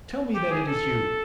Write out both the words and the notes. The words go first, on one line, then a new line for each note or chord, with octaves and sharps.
Tell me that it is you!
G4
G#4
A4